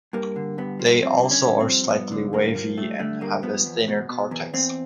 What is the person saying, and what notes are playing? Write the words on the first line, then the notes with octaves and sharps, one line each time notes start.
They also are slightly wavy and have a thinner cortex.
G2 A#3
D3
G2 B3
F3
G2 C4
D3
C#4
G2
C4
F3
G2 B3
D3
G2 A#3
F3
G2 A3
D3 A3
G2 A#3
F3 B3
E2
B2
B2
E2
E2 C4